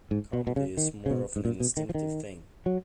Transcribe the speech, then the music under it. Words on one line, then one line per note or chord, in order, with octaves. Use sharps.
Comedy is more of an instinctive thing.
G#2
B2
B2
C#3
D#3
C#3
B2
G#2
A#2
B2
D#3
F3
D#3
F#3